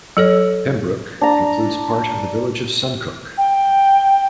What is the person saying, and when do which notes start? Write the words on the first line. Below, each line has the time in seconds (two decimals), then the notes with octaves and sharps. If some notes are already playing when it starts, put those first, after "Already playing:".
Pembroke includes part of the village of Suncook.
0.17 F#3 A4 C#5
1.21 D4 A#5
3.38 G5